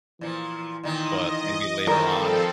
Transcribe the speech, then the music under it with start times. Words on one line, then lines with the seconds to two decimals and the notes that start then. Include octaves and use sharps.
but maybe later on,
0.21 A#2 E3 F3
0.83 A#2 D#3 D#4 D#5
1.87 D#3 F3 G3 G#3 C4 A4 A#4